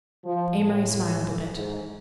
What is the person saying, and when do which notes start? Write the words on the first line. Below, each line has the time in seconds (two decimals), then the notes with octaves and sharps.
Amory smiled a bit.
0.24 F3
0.57 A2
1.55 G#2